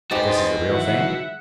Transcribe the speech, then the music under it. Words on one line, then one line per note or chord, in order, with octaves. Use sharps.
"But this is the real thing?"
G#3 D#4 F#4 G4 B4 C5 D#5 A6
D#3 E3 F#3 E5 F#5